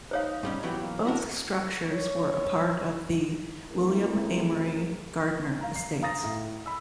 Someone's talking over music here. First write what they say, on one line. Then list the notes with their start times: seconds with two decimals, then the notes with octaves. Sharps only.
Both structures were a part of the William Amory Gardner estates.
0.11 D#4 C5 C#5 F5
0.43 G#2 G3 C#4
0.63 E3 F#3 B3 G4
0.82 A#3
1.05 D4 E4 F#4 A#4
1.92 C#5
3.70 F#2 A3 C4 E4 G#4 A#4
5.61 F5 A#5
5.76 C7
6.02 F5 A#5 D#6 A6 A#6
6.24 A2
6.66 B5 E6